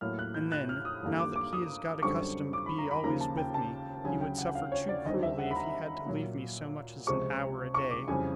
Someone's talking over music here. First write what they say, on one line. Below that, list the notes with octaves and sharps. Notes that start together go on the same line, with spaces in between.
And then, now that he has got accustomed to be always with me, he would suffer too cruelly if he had to leave me so much as an hour a day.
A2 F#3 A#3 F6
F#6
G6
F#6
F6
D#6
G2 D3 G3 A#3
D6
D6
D#6
F#2 D3 G3 C4 C#6
D6
B5
A#5
B5
D#2 C#3 F3 A#3 A#5
A5
G5
A5
D2 C#3 F#3 G#5
G5
F#5
F5
C#5
D5
D#2 D3 G3 C4 D#5
E5
F#5
B5
A#5
A#2 F#3 A#3
C#2 C3 F3 G#3 C4 C#6
C#6
D6
F2 C#3 E3 G3 C4 G#5